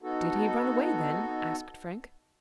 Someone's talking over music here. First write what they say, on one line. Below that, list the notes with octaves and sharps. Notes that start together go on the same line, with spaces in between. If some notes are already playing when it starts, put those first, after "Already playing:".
"Did he run away then?" asked Frank.
B3 D#4 F#4 A4